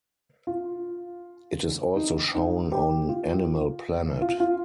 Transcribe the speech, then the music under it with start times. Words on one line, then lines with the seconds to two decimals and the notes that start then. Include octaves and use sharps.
It is also shown on Animal Planet.
0.47 F4
1.96 D#4
2.34 D#4
2.72 G4
3.09 F4
4.22 F4
4.40 F4